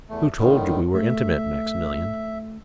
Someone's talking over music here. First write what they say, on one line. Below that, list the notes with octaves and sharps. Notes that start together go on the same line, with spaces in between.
"Who told you we were intimate, Maximilian?"
E2 A3
A2 D3 D#3
A3 E5